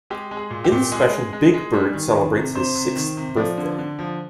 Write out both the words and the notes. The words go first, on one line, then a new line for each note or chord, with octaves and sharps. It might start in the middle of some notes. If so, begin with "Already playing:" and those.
In the special Big Bird celebrates his sixth birthday.
G#3 G4
G#3
G#4
A#2
G4
A#2
G#3 G#4
G#3
G#3
G#3
G3
D#3
D#3
C3
C3 C5
C3
D#3
C3
F3 D5
D3
D3
F3